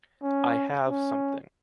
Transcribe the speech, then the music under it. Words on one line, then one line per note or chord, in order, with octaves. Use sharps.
I have something.
C#4
C#4